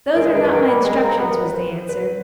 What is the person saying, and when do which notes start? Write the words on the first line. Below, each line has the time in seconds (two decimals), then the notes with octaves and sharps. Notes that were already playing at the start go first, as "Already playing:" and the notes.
'Those are not my instructions,' was the answer.
0.15 G#3 A#4
0.25 B4
0.33 G#3 A#4
0.44 B4
0.50 F#3 A#4
0.64 G3 B4
0.73 A#4
0.83 G#3 B4
0.91 A#4
1.02 A#3 B4
1.11 A#4
1.19 B3 B4
1.30 A#4
1.46 B4
1.54 C5
1.89 B4